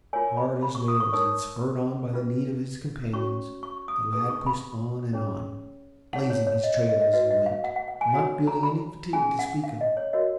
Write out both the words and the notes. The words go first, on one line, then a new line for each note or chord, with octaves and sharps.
Hard as nails and spurred on by the need of his companions, the lad pushed on and on, blazing his trail as he went, not feeling any fatigue to speak of.
F4 A#4 C#5 G#5
B5
B5
C#6
D#6
C#6
D#4 A#4 C#5 D#6
C#4 F4 G#4 B4
C#4 F#4 C#5 C#6
C#6
D#6
D#4 G#4 B4 D#6
C#6
B5
C#4 G#4 C#5
D#4 G#4 C#5 F#5
C#5
C#5
D#5
D#5
D#5
D#5
F#4 B4 D#5
D#5
F5
F#5
F#5
F#5
G#5
F#4 C#5 F#5
A#5
B5
C#4 F4 G#4 G#5
F#5
F5
D#5
C#5
F#4 A#4 C#5 D#5